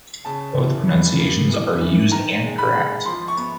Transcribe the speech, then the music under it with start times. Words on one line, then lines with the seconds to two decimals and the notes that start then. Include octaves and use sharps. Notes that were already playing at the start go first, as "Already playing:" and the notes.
Both pronunciations are used and correct.
0.25 C#3 A5
0.56 E3
0.87 B3
1.19 A#3
1.50 E3
1.81 E3
2.12 D#3 A#5
2.43 G#3
2.58 B5
2.74 G#3
3.05 F3 C6
3.28 C#6
3.37 B3